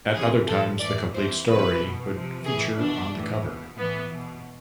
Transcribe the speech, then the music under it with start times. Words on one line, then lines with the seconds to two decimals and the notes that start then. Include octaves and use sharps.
At other times the complete story would feature on the cover.
0.14 C3 E3 G#4
0.47 A2 F3 A4
0.80 A2 E3 D5
1.13 C3 E3 C5
1.46 C3 B4
1.51 E3
1.79 B2
2.12 C3 F3
2.45 A2 E3 G#4
2.78 B2 D4
3.11 A2 E3
3.44 B2
3.77 A2 E3 B3
4.10 B2